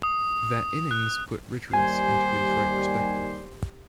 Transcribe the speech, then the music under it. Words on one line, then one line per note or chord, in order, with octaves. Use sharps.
That innings put Richards into his right perspective.
D#6
F#6
D#2 D#3 G3 G4 C5 G#5